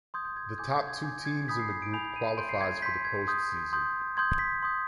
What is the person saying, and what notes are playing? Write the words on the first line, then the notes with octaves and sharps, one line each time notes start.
The top two teams in the group qualifies for the postseason.
C6 D#6 G6 G#6
G6
G#6
G#5 D6 G6 G#6
G6
G#6
G#5 D6 G6 G#6
G#6
G#5 B5 D#6 G6 B6
C7
C7
D7
G#5 B5 D#6 G6 F7
D#7
C6 G6 D7
C7
G#6
G#6
C6 G6 B6
G#6
C6 D#6 G6
C6 D#6 G6
C6 D#6 G6 G#6
B6
C6 D#6 G6